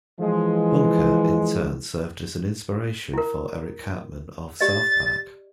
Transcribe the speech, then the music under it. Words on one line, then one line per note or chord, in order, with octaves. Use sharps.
Bunker, in turn, served as an inspiration for Eric Cartman of "South Park".
E3 F3 G#3
E4 A#4
G4 D5 D#5 A6